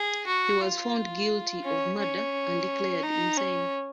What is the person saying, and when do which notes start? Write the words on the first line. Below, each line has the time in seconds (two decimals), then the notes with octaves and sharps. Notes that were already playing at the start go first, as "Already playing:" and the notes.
He was found guilty of murder and declared insane.
Already playing: G#4
0.26 F#4
0.61 F4
1.64 C#4
1.99 C#4
3.03 D#4
3.37 C#4